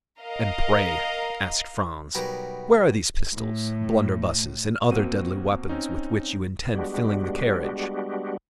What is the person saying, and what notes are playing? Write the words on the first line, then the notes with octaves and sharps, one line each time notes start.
"And pray," asked Franz, "where are these pistols, blunderbusses, and other deadly weapons with which you intend filling the carriage?"
A#4 D#5 F5 A#5
B1 B2 G3 A#4 G5 G#5
A2
B2 A#3 C4 F#4 D#7
C4 C#4 D#4
G3 G#3 B3 D4 F#4 G4